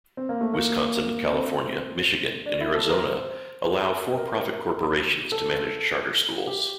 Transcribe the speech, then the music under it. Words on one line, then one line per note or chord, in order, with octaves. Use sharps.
Wisconsin, California, Michigan, and Arizona allow for-profit corporations to manage charter schools.
C4
A#3
A3
A#3
C4
D4
E4
A4
A#4
C5
A#4
A4
G4